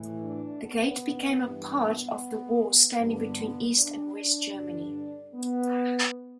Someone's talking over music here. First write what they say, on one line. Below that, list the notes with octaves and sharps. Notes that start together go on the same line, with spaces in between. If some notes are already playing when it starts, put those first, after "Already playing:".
The gate became a part of the wall, standing between East and West Germany.
Already playing: A2 E3
D4
B3
G2 E3
B3
G2 D3 B3
B3
D4
D4
G2 D3
B3